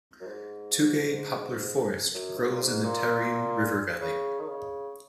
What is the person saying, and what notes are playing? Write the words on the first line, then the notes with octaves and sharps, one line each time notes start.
Tugay poplar forest grows in the Tarim River valley.
F#2
G#2
F#2
G#2
A#2
G#2
A#2
C#3
D#3
C#3